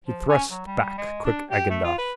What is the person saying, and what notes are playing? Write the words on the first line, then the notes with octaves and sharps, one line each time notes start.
He thrust back quick Agendath.
F3
C#4
F#3
G3
G#3
D4
G4
A3
F4
B4